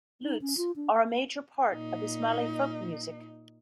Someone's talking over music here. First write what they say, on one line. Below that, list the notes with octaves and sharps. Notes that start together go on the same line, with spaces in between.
Lutes are a major part of Ismaili folk music.
D#4
C#4
F4
D4
A#2 D#4